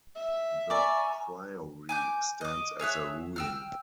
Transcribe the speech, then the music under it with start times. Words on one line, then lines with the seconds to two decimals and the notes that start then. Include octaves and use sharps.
The priory stands as a ruin.
0.16 E5
0.70 D5 G#5 A#5 C#6 D6
1.89 G#5 D6 G6
2.41 D#5 D6
2.79 G#4 C#5 E5 F#6
3.36 G5 E6 F6